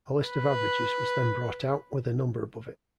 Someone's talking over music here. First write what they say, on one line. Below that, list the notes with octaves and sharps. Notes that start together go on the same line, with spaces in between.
A list of averages was then brought out, with a number above it.
B4